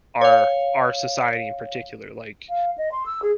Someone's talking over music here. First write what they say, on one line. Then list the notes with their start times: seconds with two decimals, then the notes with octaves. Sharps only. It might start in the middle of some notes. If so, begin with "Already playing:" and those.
our our society in particular like,
0.21 C#5 F5
2.49 F5
2.78 D#5
2.92 C6
3.06 E6
3.22 G#4